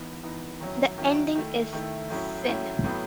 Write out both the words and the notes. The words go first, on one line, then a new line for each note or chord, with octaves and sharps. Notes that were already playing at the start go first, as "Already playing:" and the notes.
The ending is "-sin".
Already playing: E3 B3 D#4
E3 B3 D#4
D#3 F#3 C#4 E4
D#3 F#3 C#4 E4
D#3 A3 E4
D#3 A3 E4
A2 F#3 C#4 E4
A2 F#3 C#4 E4
A2 F#3 B3 E4